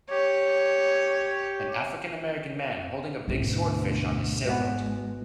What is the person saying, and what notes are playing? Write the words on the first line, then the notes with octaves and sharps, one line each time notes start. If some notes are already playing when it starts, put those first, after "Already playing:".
An African American man holding a big sword fish on his sailboat.
G4 C#5
D2 G#2 B2 E4
G#1 G#3 B3 F#4 B4